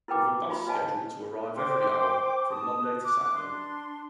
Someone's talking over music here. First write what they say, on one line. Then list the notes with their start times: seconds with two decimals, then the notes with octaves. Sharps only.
With a bus scheduled to arrive every hour from Monday to Saturday.
0.08 E4 A#4 B4 G5 D6
0.49 D#4 F4 B5 C6
0.66 B4 C#5 D#5 F5 G#5 A5
1.55 C5 G5 C6 D6
2.49 A5 D#6
3.03 D6 F#6
3.35 D4 C6